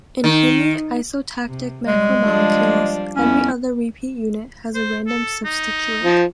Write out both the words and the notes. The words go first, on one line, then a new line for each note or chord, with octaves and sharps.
In hemi isotactic macromolecules every other repeat unit has a random substituent.
D#3
C3
G3 G#3
F3 G3 D4
F2 B3 C#4 E4
C5
A4
D#4
F3